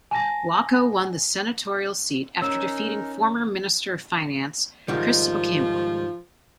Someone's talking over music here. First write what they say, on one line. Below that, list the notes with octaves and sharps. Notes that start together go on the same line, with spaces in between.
Wako won the senotorial seat after defeating former minister of finance Chris Okemo.
G#5 A5 A#6
C#4 D#4 A#4 E6 E7
G#2 D#3 F3 G3